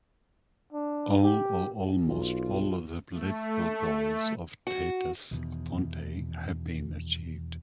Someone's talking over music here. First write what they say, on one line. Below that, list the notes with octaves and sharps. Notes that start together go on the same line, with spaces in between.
All or almost all the political goals of Tautas fronte have been achieved.
D4
G4
B1 F4
A3
F#4
E2 B2 D#3